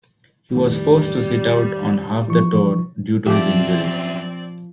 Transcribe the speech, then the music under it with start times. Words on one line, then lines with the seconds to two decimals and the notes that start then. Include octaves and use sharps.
He was forced to sit out on half the tour due to his injury.
0.55 F2 A2 D#3 G3
2.28 E3 F3 C#6
3.26 F#2 F3 C4 G4 D5 E5